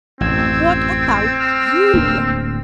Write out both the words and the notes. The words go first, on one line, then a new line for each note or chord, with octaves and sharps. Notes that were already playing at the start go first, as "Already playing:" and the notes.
What about you?
A1 F#2 C4 E6 G#6
E6 F6
D1 A#3 D4